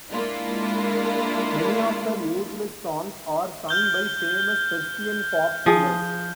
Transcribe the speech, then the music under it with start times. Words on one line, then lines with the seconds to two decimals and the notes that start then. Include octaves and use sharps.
Many of her ageless songs are sung by famous Persian pop singers.
0.11 G#3 A#3 D4 E4 F4
3.69 F6 G6 G7
5.66 F3 G#4